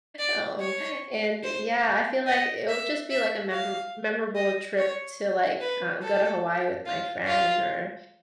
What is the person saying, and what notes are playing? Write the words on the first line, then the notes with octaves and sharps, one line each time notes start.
Um, and, yeah, I feel like it would just be like a member memorable trip to, like, uh, go to Hawaii with my friend or
D5
C#5
C5
D#5
E5
E5
F5
D#5
C#5
B4
A4
F4
F4